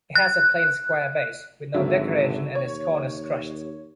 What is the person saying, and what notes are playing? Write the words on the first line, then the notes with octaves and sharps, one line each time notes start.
It has a plain square base, with no decoration and its corners crushed.
F#6
G#1 D3 F#3 E5
D#2 C#5